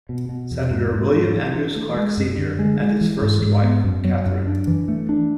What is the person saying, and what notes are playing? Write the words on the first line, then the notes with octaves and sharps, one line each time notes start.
Senator William Andrews Clark Senior and his first wife, Katherine.
B2
B2
E2
G#2
G#2
G#2
E3
E3
A3
G#3
F#2
D3
G#3
G#3
E3
G#2
G#2
B3
F#2
F#3
F#2
D4
E3
A3
D4